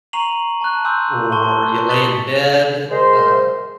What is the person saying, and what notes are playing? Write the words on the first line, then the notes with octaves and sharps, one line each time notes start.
or you lay in bed, uh,
A#5 C#6 C7 D#7 F7 F#7
A5 C#6 F#6
G#5 C6 D6 E6 F#6 G6
A5 C6 C#6 G7
C#6 D#6 A6 B6 F#7 G7
G#3 A#4 C5